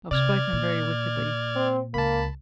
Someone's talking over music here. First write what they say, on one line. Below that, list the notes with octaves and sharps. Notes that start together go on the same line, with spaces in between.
I've spoken very wickedly.
C3 D5 F6 G#6
A#2
C4
C#2 A#3 A5 B5